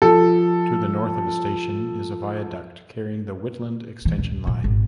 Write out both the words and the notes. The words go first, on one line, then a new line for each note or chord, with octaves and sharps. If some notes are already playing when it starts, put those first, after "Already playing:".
To the north of the station is a viaduct carrying the Whitland extension line.
F3 A4
E3
D#1
A#2
G#1